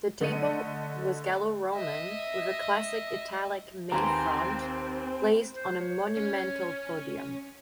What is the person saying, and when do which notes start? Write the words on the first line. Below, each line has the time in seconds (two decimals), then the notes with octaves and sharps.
The temple was Gallo-Roman with a classic-Italic main front placed on a monumental podium.
0.21 D3 A3 D#5 C#7 D#7
1.75 D#5 E5
3.92 D#2 C4 B4 G#5 A#5 C6
5.55 C5
5.80 C#5
6.16 C#4